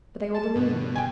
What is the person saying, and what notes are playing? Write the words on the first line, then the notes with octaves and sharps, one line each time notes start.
But they will believe me.
A5
G2 B2
G5 G#5